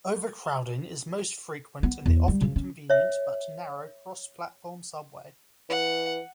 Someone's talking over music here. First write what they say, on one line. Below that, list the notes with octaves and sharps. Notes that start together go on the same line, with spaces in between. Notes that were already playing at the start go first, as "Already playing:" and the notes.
Overcrowding is most frequent in the often convenient but narrow cross-platform subway.
B3
E2
G3
C#3
C#4
C#5 E5
E3 F#5